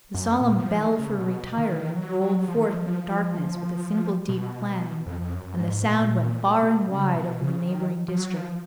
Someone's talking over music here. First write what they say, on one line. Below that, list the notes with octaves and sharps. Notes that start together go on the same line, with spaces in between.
The solemn bell for retiring rolled forth in the darkness with a single deep clang, and the sound went far and wide over the neighbouring district.
F#2
A#2
F3
D#3
C#3
B2
D#3
F#3
F#3
F3
D#3
F3
B2
F2
F2
F#2
G#2
A#2
B2
C#3
B2
C#3
D#3
F3
F#3
F3